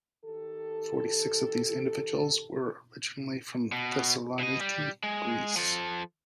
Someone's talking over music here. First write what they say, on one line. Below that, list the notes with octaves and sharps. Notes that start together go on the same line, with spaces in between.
Forty-six of these individuals were originally from Thessaloniki, Greece.
D#3 G4 A4
B2
B2 D#5
G3
G#3
F3 A4